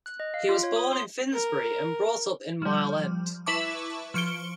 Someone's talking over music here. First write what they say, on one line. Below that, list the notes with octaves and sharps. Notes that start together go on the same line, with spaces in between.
He was born in Finsbury and brought up in Mile End.
F#6
D#5
F5
F4
C#5
D#6
C6
A#4
F3 G3
E4 B4 E5 A5 C#6 D6
F3 C#6 C#7 D7 G7